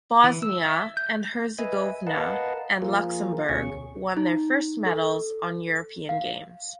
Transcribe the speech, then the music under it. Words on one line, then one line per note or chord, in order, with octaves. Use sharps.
Bosnia and Herzegovina and Luxembourg won their first medals on European Games.
E3
E6
E5
G6
B4 D#5 E5 G#5
A#4 B4 D#5 F5 F#5 A5
F3 A#3 F4 G#4 A#4
D2 B2 C#4 G#4 C#6
D#4
A4
F5